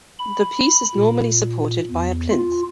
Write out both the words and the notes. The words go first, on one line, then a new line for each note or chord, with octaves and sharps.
The piece is normally supported by a plinth.
B5
A#2
E2
F4